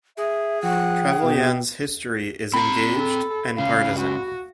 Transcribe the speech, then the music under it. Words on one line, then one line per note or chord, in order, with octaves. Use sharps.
Trevelyan's history is engaged and partisan.
G#4 E5
F3 F#5 G5
B2
C4 A#5 B5
A4
C#2 C#3 F5
F#4